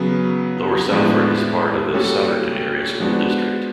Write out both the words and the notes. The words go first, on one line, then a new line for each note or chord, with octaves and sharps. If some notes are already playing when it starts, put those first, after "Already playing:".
Lower Salford is part of the Souderton Area School District.
Already playing: C#3 F#3 B3
A2 F3 G#3 B3 D4
G3 A#3 C#4 F#4 A4
F3 G#3 B3 D4 F#4